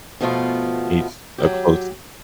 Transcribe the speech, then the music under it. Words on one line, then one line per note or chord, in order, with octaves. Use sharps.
he's a close
B2 F3 A3 B3 F4
F#3 G4